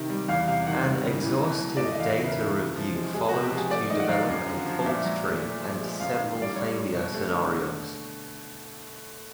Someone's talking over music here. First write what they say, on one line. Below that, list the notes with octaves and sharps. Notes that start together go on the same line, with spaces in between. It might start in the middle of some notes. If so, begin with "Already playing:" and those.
An exhaustive data review followed to develop a fault tree and several failure scenarios.
Already playing: C3 D#3
G3
E2 F5
C3 F5
D#3 F#5
G3
C#3
E3
B2
F#3
D5
A3 D#5
E5
E2 F5
C#3 E5
B4
A#4
E3
A4
C3
F3
G#3
G#3 G#4
C3 F#4
G4
F3 G#4
A3 D5
D#3 D#5
F#5
F#3 F5
F#2
D3
F3
A#2 E5
F#3
A3
A#2
F3
G#3
F#2 F5
D#3 F5
G3 D5
G3 C#5
G3
B2
A3
D3